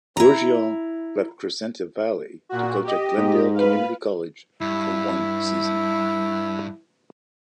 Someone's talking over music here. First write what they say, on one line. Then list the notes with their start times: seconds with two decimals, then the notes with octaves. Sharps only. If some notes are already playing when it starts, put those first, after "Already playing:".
Goorjian left Crescenta Valley to coach at Glendale Community College for one season.
0.17 E4 A#5
2.49 A#2 F#4
2.84 G4 D#5
3.18 G#2
3.54 B4 F5
4.61 G2 E4